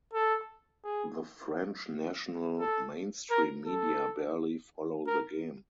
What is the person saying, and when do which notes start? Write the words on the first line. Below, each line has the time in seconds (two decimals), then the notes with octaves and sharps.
The French national mainstream media barely follow the game.
0.13 A4
0.84 G#4
2.59 A4
3.30 A#4
3.66 A4
5.06 A#4